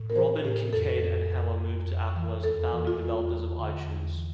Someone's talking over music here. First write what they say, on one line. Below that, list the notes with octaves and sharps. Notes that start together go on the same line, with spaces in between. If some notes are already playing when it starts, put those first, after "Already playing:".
Robbin, Kincaid, and Heller moved to Apple as the founding developers of iTunes.
Already playing: A2
A#4
E3 C5
A2 G4
F2 A4
F2
F2
F2
F2
E3
E2 A4
E3
F4
E2
E2
D3
E2
E3